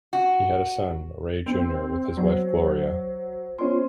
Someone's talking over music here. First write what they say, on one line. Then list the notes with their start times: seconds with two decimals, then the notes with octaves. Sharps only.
He had a son, Ray Junior with his wife Gloria.
0.13 F#4
1.46 C4
2.17 F#3 C5
3.58 B3 C#4 F4 C5 C6